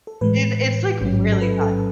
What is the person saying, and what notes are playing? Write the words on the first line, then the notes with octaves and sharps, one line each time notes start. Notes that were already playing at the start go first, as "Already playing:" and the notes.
It it's, like, really bad.
A4
A2 E3 G#3 B4
A1 G#2 F#3 C#4
A4
B4
A4